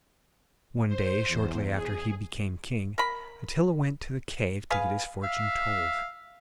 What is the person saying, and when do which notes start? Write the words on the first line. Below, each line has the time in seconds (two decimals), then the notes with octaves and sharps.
One day, shortly after he became king, Attila went to the cave to get his fortune told.
0.88 C5
1.28 E2
1.74 G#4
2.98 A#4 B5
4.70 G#4 B4 F5
5.23 E5 F5